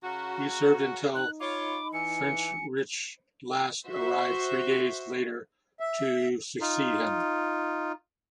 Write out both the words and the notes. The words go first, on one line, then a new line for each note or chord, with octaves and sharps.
He served until Friedrich Last arrived three days later to succeed him.
C#3 C#4 F#4 A#5
D#4 F#6
F4 C#5 B5 D6
E3 G#5 C#7
F#4 C5 E5
E5
D#4 F4